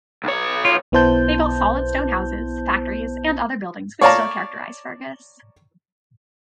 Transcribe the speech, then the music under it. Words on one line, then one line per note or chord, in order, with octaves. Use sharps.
They built solid stone houses, factories and other buildings which still characterize Fergus.
B1 C#5
F4
B1 B3 E4 C5 A5 G6
C#5 D5 F5 A5 A#5